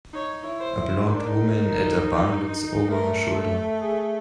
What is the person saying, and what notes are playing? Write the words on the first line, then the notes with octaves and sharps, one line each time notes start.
A blond woman at a bar looks over her shoulder.
D#4 C#5
E4
C5
E4
D#4 A#4
D4
D#4
A3 A#4
A4
G#4